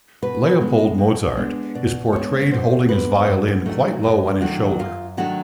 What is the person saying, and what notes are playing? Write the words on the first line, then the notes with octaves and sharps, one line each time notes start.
Leopold Mozart is portrayed holding his violin quite low on his shoulder.
B2 B4
G#3 B3 D4
B2
G#3 B3 D4
B2 D5
G#3 B3 D4 C#5
C#5
B2 C5
G#3 B3 D4 B4
F#2
D#3 F#3 A3 D4
F#2
D#3 F#3 A3 D4
F#2 F4
D#3 F#3 A3 D4 F#4